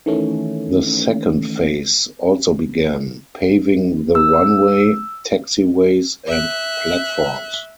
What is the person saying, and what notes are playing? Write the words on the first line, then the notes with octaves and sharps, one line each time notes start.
The second phase also began: paving the runway, taxiways, and platforms.
D#3 E3 A3 C#4
E6
E5 F#6